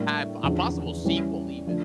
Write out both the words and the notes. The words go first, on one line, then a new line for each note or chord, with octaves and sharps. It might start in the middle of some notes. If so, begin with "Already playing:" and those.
had a possible sequel even,
Already playing: A2 G3 A#3 D4
E2 D3 F3 C#4
E3 G3 C#4
D3 F3 A3 D4